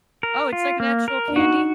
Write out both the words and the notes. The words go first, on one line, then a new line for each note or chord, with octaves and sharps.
Oh, it's like an actual candy?
A#4
F4
A#3
A#4
D4
D#4 F#4